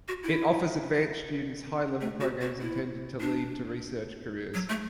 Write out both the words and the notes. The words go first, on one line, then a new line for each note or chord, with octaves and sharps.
It offers advanced students high-level programs intended to lead to research careers.
F#4
E4
A3
F#4
F#4
E4
D4
F#3
A3